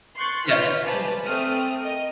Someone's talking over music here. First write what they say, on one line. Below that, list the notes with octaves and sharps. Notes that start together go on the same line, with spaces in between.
Yeah, yeah.
C6 C#6 F#6 G6 A6
F4 B4 C#5 F6 G6 B6
B4 C5 D5 G#5 A5
A3 C4 D#6 F6
A#4 D#5